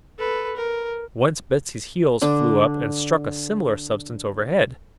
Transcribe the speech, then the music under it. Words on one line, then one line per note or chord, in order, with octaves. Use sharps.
Once Betsy's heels flew up and struck a similar substance overhead.
A4 B4
A#4
D3 D4